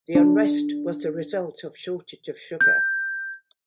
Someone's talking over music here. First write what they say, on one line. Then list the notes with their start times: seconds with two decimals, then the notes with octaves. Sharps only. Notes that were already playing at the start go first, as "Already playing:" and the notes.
The unrest was the result of shortage of sugar.
0.15 D4
2.61 G6